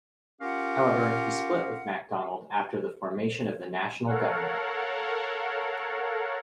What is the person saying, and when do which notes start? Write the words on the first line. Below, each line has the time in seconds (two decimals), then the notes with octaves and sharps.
However, he split with MacDonald after the formation of the National Government.
0.41 C#4 F4 G4 A#4 F5 F#5
4.07 A4 A#4 C#5 F5 F#5